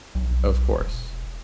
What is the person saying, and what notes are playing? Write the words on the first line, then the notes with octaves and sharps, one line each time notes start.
Of course.
B1
E1